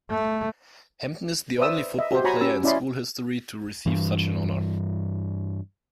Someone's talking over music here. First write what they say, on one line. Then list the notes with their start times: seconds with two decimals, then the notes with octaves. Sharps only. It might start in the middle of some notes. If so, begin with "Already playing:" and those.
Hampton is the only football player in school history to receive such an honor.
0.10 A3
1.58 B4 C5 D5 E5 D#6 E6
1.99 D#5 E5
2.11 F#4 G4 C5
2.24 F#4 C#5 G#5 A#5 B5 C#6
2.41 C#4 G4 B5 E6
2.63 C#4 E4 D5 D#5 B5 C6
3.86 G2 E3